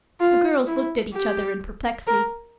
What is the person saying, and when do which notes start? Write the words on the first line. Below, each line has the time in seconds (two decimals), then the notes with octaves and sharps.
The girls looked at each other in perplexity.
0.20 F4
0.67 E4
1.13 G4
2.07 A#4